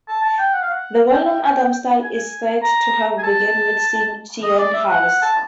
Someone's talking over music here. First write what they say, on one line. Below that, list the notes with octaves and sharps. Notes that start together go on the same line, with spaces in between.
The well known "Adam style" is said to have begun with Syon House.
A5
A5
G5
F#5
F5
F#5
G5
G#5
A#5
G#5
A5
D#5
D5
E5
F#5
A5